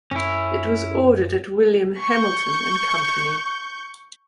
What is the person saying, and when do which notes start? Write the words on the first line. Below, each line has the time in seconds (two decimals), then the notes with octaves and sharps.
It was ordered at William Hamilton and Company.
0.11 F#2 C#4 E4
2.02 C#6 G6